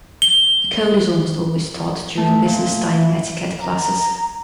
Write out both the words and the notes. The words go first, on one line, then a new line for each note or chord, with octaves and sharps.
The code is almost always taught during business dining etiquette classes.
G7
A3
A#2
E3
A#5